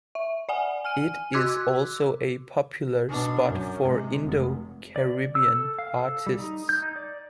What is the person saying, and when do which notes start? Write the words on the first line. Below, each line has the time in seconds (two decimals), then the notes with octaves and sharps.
It is also a popular spot for Indo-Caribbean artists.
0.15 E5
0.49 D5 F#5 G#5
0.84 G#5 F6 D#7
1.33 F#4 C6 D6 E6 F#6 G#6
3.09 B2 D4
3.47 F#2
3.82 C3 G#3
4.24 F1
4.96 D5
5.35 E6
5.52 A4
5.79 F5
6.00 A4
6.27 G3
6.39 D#4
6.69 G6
6.82 D#4
6.96 D5